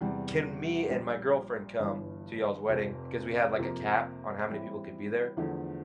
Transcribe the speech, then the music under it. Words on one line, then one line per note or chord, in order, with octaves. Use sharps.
can me and my girlfriend come to y'all's wedding?" because we had, like, a cap on how many people could be there,
E2 C3 G3
A#1 A#2 G3
G1 G2 E3
F1 F2 C3
F2 C3 F3 A#3
A2 E3 G3 C4 E4
E2 D3 F3 A3